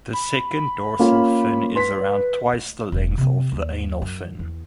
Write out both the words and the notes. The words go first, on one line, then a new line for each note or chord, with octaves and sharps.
The second dorsal fin is around twice the length of the anal fin.
B5
A#3 C#4 F4
B4 C6 B6
A3
E1 E3
C3 C4
D#2
F#2
E2